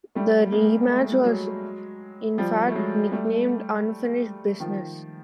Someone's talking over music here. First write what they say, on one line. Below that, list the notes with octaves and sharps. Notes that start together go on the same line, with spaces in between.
The rematch was, in fact, nicknamed "Unfinished Business".
G3 A3
G#3 A#3
A3
G#3
G3
F#3 G#3
F3 G3
A3
F#3 G#3
G3 A3
D#3 F3